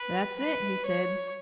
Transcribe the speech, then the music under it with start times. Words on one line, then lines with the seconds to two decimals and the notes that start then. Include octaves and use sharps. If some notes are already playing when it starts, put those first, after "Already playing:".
"That's it," he said.
Already playing: B4
0.39 B4
0.87 C#5